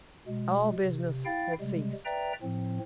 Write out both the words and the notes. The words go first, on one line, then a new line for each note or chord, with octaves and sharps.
All business had ceased.
B2 G#3
C3
E4 F5 G5 A6
C3 G3 G#3
B4 D5 E5 G5 A#5
A2 F3 C4